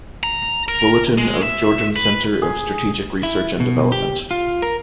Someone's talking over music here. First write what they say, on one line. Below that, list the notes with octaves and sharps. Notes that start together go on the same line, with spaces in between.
Bulletin of Georgian Centre of Strategic Research and Development.
A#5
A#4
G#3
E5
B4
G#4
E4
B2
G4
F4
A#4